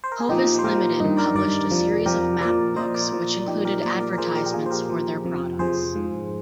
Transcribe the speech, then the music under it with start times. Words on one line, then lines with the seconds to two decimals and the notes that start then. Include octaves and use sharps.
Hovis Limited published a series of map books which included advertisements for their products.
0.04 C5
0.12 A#4
0.20 G#4
0.29 A#2 F3 D#4 G4
0.59 C5
0.64 A#2 F3 G4 A#4
1.00 G2 D#3 D#4
1.17 A#4 D5
1.35 G2 D#3 A#4 D5
1.71 F2 C3 F3
2.06 F2 C3 F3 G4 A#4
2.41 A#2 F3 A#4 D5
2.76 A#2 F3 C5 D#5
2.95 A#4 D5
3.12 A#2 F3
3.47 A#2 F3 D#4 G4
3.65 G4 A#4
3.82 A#2 F3 A#4 D5
4.00 A#4 D5
4.13 A#4
4.18 A#2 F3 G#4 C5
4.35 G4 A#4
4.46 G4
4.53 A#2 F3 F4 G#4
4.66 C5
4.71 G4 A#4
4.89 A#2 F3
5.25 F2 C3 F3
5.59 F2 C3 F3 G#4 C5
5.95 G#2 F3